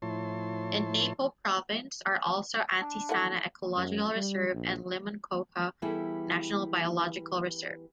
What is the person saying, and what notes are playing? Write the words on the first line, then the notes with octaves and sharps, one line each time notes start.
In Napo province are also Antisana Ecological Reserve and Limoncocha National Biological Reserve.
A2 F3 E4 C#5 A5 C6
D4
A3 E4 F#5
F#2
G3
A#1
E3 G3 B3 E4 G#4 A4